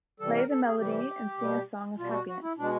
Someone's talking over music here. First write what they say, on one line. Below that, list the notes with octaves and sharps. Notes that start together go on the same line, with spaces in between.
Play the melody and sing a song of happiness.
C3 E3 G3 A4
A#4
A4
G#4
C3 E3 G3 G4
B2 G3
B2 G3 F4
F#4
F#4
E4
B2 G#3 D4